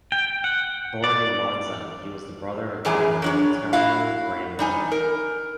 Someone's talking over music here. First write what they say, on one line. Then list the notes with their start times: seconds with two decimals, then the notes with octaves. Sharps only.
Born in Monza, he was the brother of driver Vittorio Brambilla.
0.12 G5
0.44 F#5
1.04 D5
2.85 F#2 A2 E3 G#4 G#5 A#5
3.22 F#3 D4 C#5
3.73 E4 F#4 F5
4.59 G3 D#4 G#5
4.92 A#4